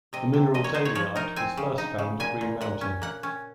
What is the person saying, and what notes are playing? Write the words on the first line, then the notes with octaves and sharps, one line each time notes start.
The mineral dalyite was first found at Green Mountain.
C3 D#5
C3
A#2 D#5
C#5
D#4 C5
C#5
F3 C#5
D#4 A#4
C4 G#5
C#3
D#4
C#3
A#2 G#5
A#2
A#2 F#5
C#4
A#3 F#5
C#4